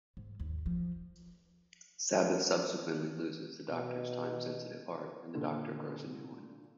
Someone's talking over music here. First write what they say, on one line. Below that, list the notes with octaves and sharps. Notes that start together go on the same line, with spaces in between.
Sabbath subsequently loses the Doctor's time-sensitive heart and the Doctor grows a new one.
G#2
D#2
F3
B2
A#2 D3